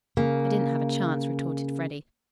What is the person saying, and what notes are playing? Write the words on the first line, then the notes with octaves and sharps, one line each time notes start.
"I didn't have a chance," retorted Freddy.
C#3 A#3